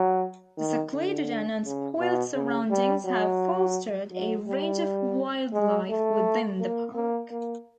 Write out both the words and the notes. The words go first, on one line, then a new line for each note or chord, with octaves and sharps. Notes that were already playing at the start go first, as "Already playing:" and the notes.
The secluded and unspoilt surroundings have fostered a range of wildlife within the park.
Already playing: F#3
D#3
D3
C#3
B2
C#3
G3
F#3
F#3
G3
G#3
A3
A#3
A#3
A#3